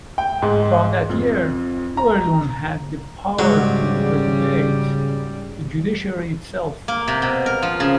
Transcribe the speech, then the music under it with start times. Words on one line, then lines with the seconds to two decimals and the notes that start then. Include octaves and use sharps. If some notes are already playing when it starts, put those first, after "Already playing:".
From that year, Overloon had the power to regulate the judiciary itself.
0.18 G5
0.42 G#2
1.10 F2
1.97 A#5
3.39 G#2 C#3 F#3 G3 D5
6.88 A#3
7.08 C3
7.22 B2
7.46 A#4
7.62 F3
7.80 C#3